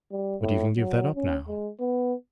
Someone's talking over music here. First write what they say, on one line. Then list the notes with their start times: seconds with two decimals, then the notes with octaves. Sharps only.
"But you can give that up now."
0.11 G3
0.41 A2
0.77 F#3
1.15 C#4
1.48 G#3
1.80 B3